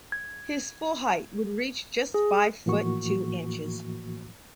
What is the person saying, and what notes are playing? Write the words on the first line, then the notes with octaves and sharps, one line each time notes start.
His full height would reach just five-foot, two inches.
G#6
G#4
A2 E3 F3 A#3 F#4 C#6